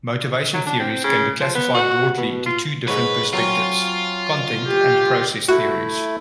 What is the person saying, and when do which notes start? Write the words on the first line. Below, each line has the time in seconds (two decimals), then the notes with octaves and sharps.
Motivation theories can be classified broadly into two different perspectives: Content and Process theories.
0.54 F#3
0.67 D4
0.80 C4
1.04 C#3
1.41 F3
1.55 B3
1.75 F#4
2.18 B2
2.46 F4
2.88 G#2 B4 C#5
3.33 F#3 C4 C#4 F4
4.67 G4
5.48 A3 E4 F#4